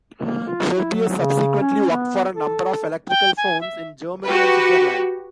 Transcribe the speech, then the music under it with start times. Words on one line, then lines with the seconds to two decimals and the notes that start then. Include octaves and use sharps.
Scherbius subsequently worked for a number of electrical firms in Germany and Switzerland.
0.23 A#3
0.48 F4
0.75 E4
0.93 F#3
1.19 C#3
1.61 C#4
1.90 B3
2.35 A4
3.09 G5
3.37 G#5
3.61 E5
4.24 F#4 G4 B4